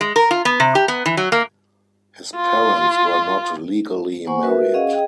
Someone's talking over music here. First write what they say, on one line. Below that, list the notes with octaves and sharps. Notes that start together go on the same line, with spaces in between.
His parents were not legally married.
G#3
A#4
F4
B3
C3
G4
B3
E3
F#3
A#3
F4
A#3 C5 F#5 G#5 C#6
F#4 A#4 B4 E5
C#4 G#4 D#5 F5 F#5
G#4 D#5 G5